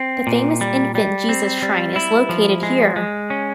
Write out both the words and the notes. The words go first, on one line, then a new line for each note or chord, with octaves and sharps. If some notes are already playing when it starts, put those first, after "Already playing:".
The famous Infant Jesus Shrine is located here.
Already playing: C4
A#2
G3
G3
C4
G3
E4
F3
G#3
G#3
C#4